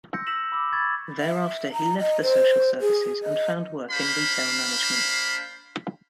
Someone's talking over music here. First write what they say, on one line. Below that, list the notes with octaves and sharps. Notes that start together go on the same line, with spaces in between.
Thereafter he left the social services and found work in retail management.
C6 E6 G6 A#6 C#7
E6 A#6 B6 E7 F#7
B5 D6 E6
B5 C#6 G#6 A6
E5
A#5
D#5
C5
G#4
D#5
A#3 D4 C5 F5 B5